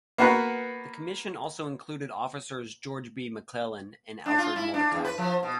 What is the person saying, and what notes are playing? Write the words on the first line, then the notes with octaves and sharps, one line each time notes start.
The commission also included officers George B. McClellan and Alfred Mordecai.
A#3 B3 F#4 B4
D4
F4
E4
D4
E2
B4
F3
B2